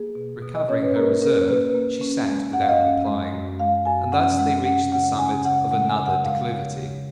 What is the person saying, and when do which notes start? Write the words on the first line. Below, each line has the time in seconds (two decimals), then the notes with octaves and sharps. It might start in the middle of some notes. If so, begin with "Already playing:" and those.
Recovering her reserve, she sat without replying, and thus they reached the summit of another declivity.
Already playing: A#3 G#4
0.15 B2
0.42 B2
0.55 D#5
0.69 C#4 C#5
0.82 B4
0.96 A#3 A#4
1.22 C#4 A#4
1.48 A#3 B4
1.75 A#3
2.01 C#4
2.28 G#3
2.53 F#2 F#5
2.62 F5
2.69 D#5
2.76 C#4 F5
3.07 G#3
3.34 F#2
3.60 G#3 F5
3.85 F#2 G#5
4.12 C#4 F#5
4.39 G#3 F#5
4.65 C#4 F#5
4.92 C#3 F#5
5.18 C#4 G#5
5.45 C#3 F#5
5.71 G#3 F#5
5.89 G#5
5.98 C#3
6.06 F#5
6.24 G#3 F5
6.51 C#3
6.77 C#3